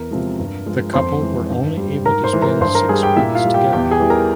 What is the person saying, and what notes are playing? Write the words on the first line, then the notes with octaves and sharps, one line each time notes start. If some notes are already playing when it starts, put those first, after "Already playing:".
The couple were only able to spend six weeks together.
Already playing: E2 A#4
C3 F3 G#3
G2
F3 G#3
F2 C5 C6
E3 G#3
G2
G3
G#2 A#4 A#5
C5 C6
E3 G#3
A#4 A#5
G2 C5 C6
A#4 A#5
G3 G#4 G#5
G4 G5
A#2 E4 E5
F4 F5
G3
G4 G5
E2 G4 G5
G#4 G#5
E3 G3
A#4 A#5